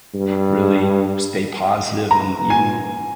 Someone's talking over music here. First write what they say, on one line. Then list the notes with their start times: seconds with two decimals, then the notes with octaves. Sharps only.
really stay positive and even,
0.15 G2
2.11 A#5
2.50 A#2 G#5